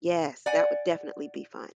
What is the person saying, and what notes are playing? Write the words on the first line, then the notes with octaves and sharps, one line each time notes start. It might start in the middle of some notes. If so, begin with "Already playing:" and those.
Yes, that would definitely be fun.
D5 F#5 G#5